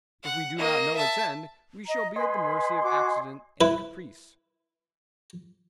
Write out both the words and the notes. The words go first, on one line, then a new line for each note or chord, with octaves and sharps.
If we do not know its end, we shall be at the mercy of accident and caprice.
F#5
A#3 D#5
E5 A5
D#5 A#5
B4 D#5 G#5 C6
F#4 D6
E4 B4